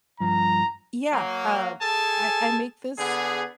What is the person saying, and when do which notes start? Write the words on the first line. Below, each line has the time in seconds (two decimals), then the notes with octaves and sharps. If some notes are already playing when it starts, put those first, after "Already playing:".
Yeah, um, I I make this
0.20 G2 F3 A#5
1.13 F#3 A#3
1.81 G#4 A4 G#5 A5
2.98 D3 B3 G#4